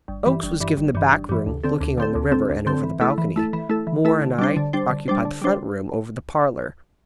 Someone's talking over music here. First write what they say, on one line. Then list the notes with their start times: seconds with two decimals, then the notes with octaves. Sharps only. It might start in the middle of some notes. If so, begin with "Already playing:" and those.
Oakes was given the back room looking on the river, and over the balcony; Moore and I occupied the front room, over the parlor.
0.08 G1
0.25 G2 E3
0.43 G1
0.60 G2 E3
0.77 G1
0.95 G2 E3
1.12 G1
1.29 G2 E3
1.46 D2
1.64 D3 C4 A4
1.81 D2
1.98 D3 C4 A4
2.15 D2
2.32 D3 C4 A4
2.49 D2
2.66 D3 C4 A4
2.83 E3
3.01 A3 E4 A4
3.18 E3
3.36 A3 E4 A4
3.53 E3
3.69 A3 E4 A4
3.87 E3
4.05 A3 E4 A4
4.21 D3
4.39 G3 D4 C5
4.57 D3
4.73 G3 D4 C5
4.90 D3
5.08 G3 D4 C5
5.25 D3
5.42 G3 D4 C5